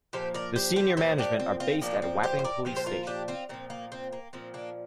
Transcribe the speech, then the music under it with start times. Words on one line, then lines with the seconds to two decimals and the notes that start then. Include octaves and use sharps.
The senior management are based at Wapping police station.
0.13 A#2 F3 G4 C5
0.34 A#4 D5
0.56 G4 C5
0.76 G4 C5
0.97 A#2 F3 G4 C5
1.18 D4 G4
1.40 C4
1.60 C4 F4
1.81 A#2 F3 A#3 D4
2.02 C4
2.23 G4 C5
2.39 C5
2.44 A#4 D5
2.65 A#2 F3 G4 C5
2.77 C5
2.86 F4 A#4
3.07 D4 G4
3.28 C4 F4
3.49 A#2 F3 C4
3.70 A#3
3.92 C4
4.12 A#3
4.33 A#2 F3 C4
4.54 A#3 D4